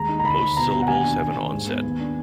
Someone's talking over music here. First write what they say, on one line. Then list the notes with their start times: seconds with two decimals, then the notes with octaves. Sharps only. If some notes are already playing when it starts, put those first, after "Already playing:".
Most syllables have an onset.
Already playing: D#2 G#3 A#5
0.09 D#4
0.20 A#5
0.24 D2 B5
0.41 D2
0.57 B2 A#5
0.72 B2
0.82 F#5
0.88 D#2 G#5
1.04 D4
1.20 D#2
1.36 D#2
1.52 G#2
1.68 B3
1.83 D#2
2.00 D4